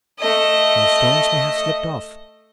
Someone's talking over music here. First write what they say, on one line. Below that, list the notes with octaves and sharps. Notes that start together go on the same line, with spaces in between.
Those stones may have slipped off.
A3 D#5